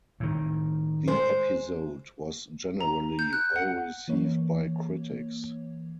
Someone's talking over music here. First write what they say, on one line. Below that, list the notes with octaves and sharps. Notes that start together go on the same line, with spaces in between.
The episode was generally well received by critics.
A2 D#3
G#3 C5
A#5
G6
F#6
F#5
E3 A#3 C#5